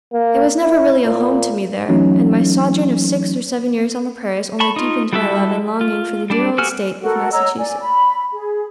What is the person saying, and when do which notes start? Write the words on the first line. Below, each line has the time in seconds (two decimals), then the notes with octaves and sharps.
It was never really home to me there, and my sojourn of six or seven years on the prairies only deepened my love and longing for the dear old State of Massachusetts.
0.13 A#3
0.62 E4
1.05 A#2
1.89 E3 F#3 A3 C#4 D#4
4.60 A5 B5 C#6
4.76 D#4 F4
5.13 G3 E4 F#4 A4 E5
5.81 F4
6.30 G3 D4 D5
6.58 F#4 G4 A4 G#5 F6
7.02 F#4 A4 A#4 F#5
7.32 C#5 D#5 A#5 E6
7.58 D5 G#5
7.81 B5
8.31 G#4